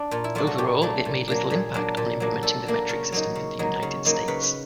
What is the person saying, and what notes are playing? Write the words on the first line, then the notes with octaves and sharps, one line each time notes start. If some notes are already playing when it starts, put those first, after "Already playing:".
Overall, it made little impact on implementing the metric system in the United States.
Already playing: D4
A#2 F4
E4
F#3 A3 D4 F4
F#4
A#2 G4
F#3 A3 D4
A#2
F#3 A#3 D4
A#2 G#4
F#3 A#3 D4
A#2
F#3 A#3 D4
A#2 A4
F#3 A#3 D4
C#3 A#4
F#3 A#3 D#4
C#3
F#3 A#3 D#4
C#3
F#3 A#3 D#4
C#3 B4
B4